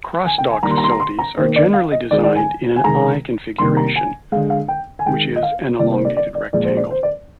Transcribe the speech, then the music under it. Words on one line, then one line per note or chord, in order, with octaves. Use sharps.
Cross-dock facilities are generally designed in an "I" configuration, which is an elongated rectangle.
G#5
G5
G#5
D#3 G3 A#3 A#5
C6
A#5
C6
A#5
C6
A#5
D#3 A#3 C5
D5
F5
D#5
D#3 G#3 D5
D5
G#5
G#5
C3 D#3 G#3 A#5
C3 D#3 G3 A#3 C6
A#5
G#5
D3 G#3 F5
F5
G5
G#5
D#3 G#3 G5
D#5
F5
C3 G3 A#3 D5
C5
D5
D5
D5
A#2 F3 G#3 D5
C5
D5
C5
D5